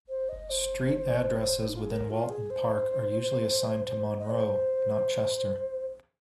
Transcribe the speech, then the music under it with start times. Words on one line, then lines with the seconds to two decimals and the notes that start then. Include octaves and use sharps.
Street addresses within Walton Park are usually assigned to Monroe, not Chester.
0.09 C5
0.29 D#5
0.50 C5
1.67 D#4
1.75 F4
1.83 G#4
1.90 A#4
2.10 F4
2.30 G#4
2.50 C5
4.20 D#5
4.31 C5